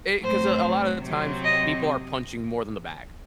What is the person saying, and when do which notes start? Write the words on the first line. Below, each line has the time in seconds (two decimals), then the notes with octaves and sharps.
Eh 'cause a a lot of the times, people are punching more than the bag,
0.22 A2 F#3 C4 C5
1.03 C3 F#3 C4
1.44 D#5